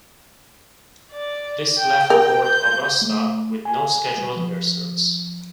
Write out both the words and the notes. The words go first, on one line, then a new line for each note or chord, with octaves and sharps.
This left Port Augusta with no scheduled air service.
D5
G5
A#4
G6
A3
G#5
F3